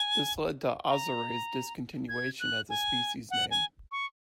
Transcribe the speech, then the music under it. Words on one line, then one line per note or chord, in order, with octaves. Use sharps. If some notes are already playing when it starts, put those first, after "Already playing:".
This led to "azarae"'s discontinuation as a species name.
Already playing: G#5
A#5
G#6
F#6
G#5
F#5
G#5
C#6